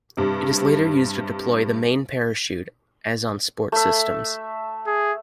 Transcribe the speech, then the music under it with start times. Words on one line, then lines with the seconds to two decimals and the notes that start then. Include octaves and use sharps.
It is later used to deploy the main parachute as on sports systems.
0.17 G2 C3
3.72 A3 E5
4.87 G#4